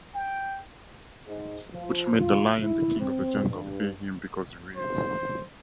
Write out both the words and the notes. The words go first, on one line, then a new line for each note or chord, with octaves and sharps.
Which made the lion the king of the jungle fear him because he reads.
G5
G#2
F3
F4
E4
C4
G2
C5